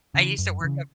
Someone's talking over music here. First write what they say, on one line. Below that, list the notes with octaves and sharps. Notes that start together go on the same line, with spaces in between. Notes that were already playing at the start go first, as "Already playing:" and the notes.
I used to work at
C#3 E3
F#2
C#3 E3